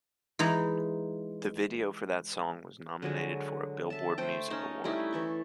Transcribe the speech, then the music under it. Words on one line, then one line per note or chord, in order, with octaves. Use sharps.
The video for that song was nominated for a Billboard Music Award.
E3 G#3 D#4 A#5
D3 F#3 G#3
E5 A5
A3 A4 C5 G5
C#4 D#4 A5
G3 A3 D#4 E4
E3 A4 C#6